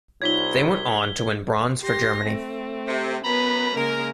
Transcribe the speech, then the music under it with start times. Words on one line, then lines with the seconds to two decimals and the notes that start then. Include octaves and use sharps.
They went on to win Bronze for Germany.
0.22 C2 D#4 F4 C#5 G#6 B6 G7
1.82 G4 C6 A#6
2.22 A3 C4
2.88 C3
3.24 F#2 B3 B4 A#5 B5
3.76 C#3 G#3 A#3 A#4